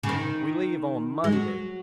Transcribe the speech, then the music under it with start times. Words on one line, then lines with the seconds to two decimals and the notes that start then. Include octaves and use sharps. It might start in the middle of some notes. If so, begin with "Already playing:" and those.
"We leave on Monday."
0.03 C#3
0.09 D#3
1.24 G#3
1.32 F#3